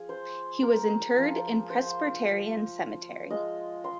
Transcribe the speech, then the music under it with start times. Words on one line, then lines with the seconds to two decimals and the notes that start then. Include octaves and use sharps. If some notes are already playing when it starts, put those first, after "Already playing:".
He was interred in Presbyterian Cemetery.
Already playing: F3 F4 G#4
0.09 C5
0.63 A#4
1.16 F3 A#3 F4
1.70 C5
3.30 G#3 F4 D#5
3.84 C6